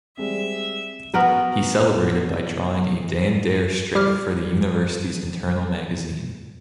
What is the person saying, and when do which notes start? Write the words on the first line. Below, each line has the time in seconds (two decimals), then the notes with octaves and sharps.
He celebrated by drawing a Dan Dare strip for the University's internal magazine.
0.17 G3 G#3 C4 E5
1.14 B3 F#4 A#4 B4
3.95 G3 G4 D6 F6